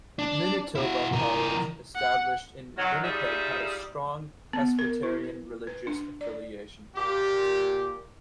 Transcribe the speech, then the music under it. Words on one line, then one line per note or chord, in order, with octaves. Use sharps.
Manitoba College, established in Winnipeg had a strong Presbyterian religious affiliation.
D4
E4 F#4
E3 A#4
F#5
D#3 F#3
G3 D#4 F4 G#4 D5 E5
B3
A#4
E4
B4
B4
D4
D5
A#2 G4